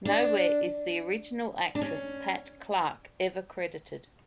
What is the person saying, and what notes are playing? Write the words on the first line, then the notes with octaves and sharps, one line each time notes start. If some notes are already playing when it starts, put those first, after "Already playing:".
Nowhere is the original actress, Pat Clark, ever credited.
D4
D4
C#4